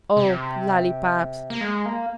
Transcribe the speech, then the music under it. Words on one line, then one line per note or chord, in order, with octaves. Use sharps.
Oh, lollypops!
C3
A#3
G#3
A#3